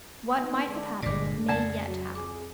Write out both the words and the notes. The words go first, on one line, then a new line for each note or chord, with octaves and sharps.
What might have happened may yet happen.
B3 D#4
D3 G#3 D4
G1 A#2 G#3 D4 D5 D6
F2 C#3 D5 A5
F#3
F2 G#4 D6